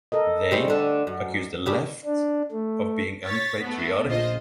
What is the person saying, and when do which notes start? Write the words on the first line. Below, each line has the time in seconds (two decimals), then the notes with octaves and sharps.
They accused the Left of being unpatriotic.
0.12 A4 A#4 D#5
0.51 C#3 G3 C4
0.68 D3 A3
1.07 F#2
1.66 C#3 G3 D4
2.05 D4
2.51 A3
3.26 C#5 A6 B6
3.62 A3 B3
4.06 A#1 C#3 F4 C5 D#5